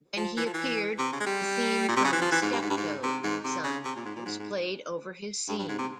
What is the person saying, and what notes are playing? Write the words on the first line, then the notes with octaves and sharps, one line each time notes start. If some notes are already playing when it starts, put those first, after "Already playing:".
When he appeared, the theme from "Steptoe and Son" was played over his scene.
F3
E3
F3
E3
C3
C#3
G#3
G3
A#2
C3
C#3
E3
F3
E3
G#2
G2
G#2
G2
G#2
C3
G#2
C3
C#3
C3
A#2
G#2
A#2
G#2
G#2
G2
G2
G#2
C3